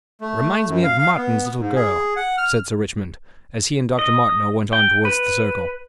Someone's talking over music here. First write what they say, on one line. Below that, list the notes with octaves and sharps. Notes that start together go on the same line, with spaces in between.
"Reminds me of Martin's little girl," said Sir Richmond, as he and Dr. Martineau went on towards the circle.
A3
F#2
F5
F5
B3
G#2
G#4
F#5
F6
D#5
G5
B4